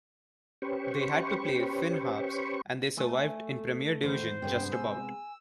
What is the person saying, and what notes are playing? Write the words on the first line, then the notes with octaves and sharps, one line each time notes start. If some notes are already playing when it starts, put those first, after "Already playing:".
They had to play Finn Harps and they survived in Premier Division just about.
C#4 G4 B4 C5 C#6
A3 A4 G#5
E2 D#3 E3 C5
G2 C3 G#3 B3 G5
G#5 E6